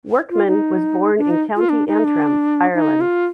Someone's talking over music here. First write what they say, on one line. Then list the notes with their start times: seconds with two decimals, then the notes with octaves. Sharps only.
Workman was born in County Antrim, Ireland.
0.31 F4
0.47 D#4
1.18 D4
1.31 D#4
1.56 F4
1.69 D4
1.87 D#4
2.04 D4
2.74 D#4
3.01 F4